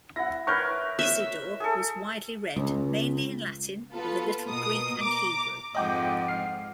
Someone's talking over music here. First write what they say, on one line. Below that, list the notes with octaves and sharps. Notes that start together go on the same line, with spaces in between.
Isidore was widely read, mainly in Latin with a little Greek and Hebrew.
E4 F#5 A#6
A#4 B4 C#5 C#6 F6 G6
E5
G#4 A4
C#2
B3 F4 A4 B4
B2 A#4 D#6
A#5 D6
F2 G#2 D#5 F#5 G5 D6
F6 C7